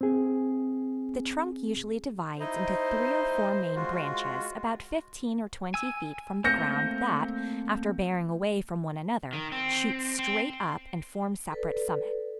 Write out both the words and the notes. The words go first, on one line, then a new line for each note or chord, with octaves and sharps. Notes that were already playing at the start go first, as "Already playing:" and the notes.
The trunk usually divides into three or four main branches about fifteen or twenty feet from the ground that, after bearing away from one another, shoot straight up and form separate summits.
C4 G#4
D#4 E4 C5 D#5
G#3 F4 F#4
G#5 E6
A3 A#3 C4 G6 A#6 C#7
D#3
C4
C4
A4 B4 D5